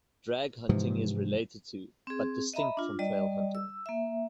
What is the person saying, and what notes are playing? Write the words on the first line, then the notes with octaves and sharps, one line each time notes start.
Drag hunting is related to but distinct from trail hunting.
G#2 C3 E3 F3
C4 G#4
D#5 E5 A#5 B5
D4 F4
G3 D5 D#5
E6
A#3 E5